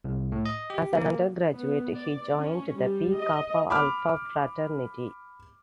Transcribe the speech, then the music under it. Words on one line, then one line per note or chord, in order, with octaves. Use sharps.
As an undergraduate, he joined the Pi Kappa Alpha Fraternity.
C2
A2
D#5
G4
A#3
B3
D5
C#4
G3
D#5
B5 D6 F6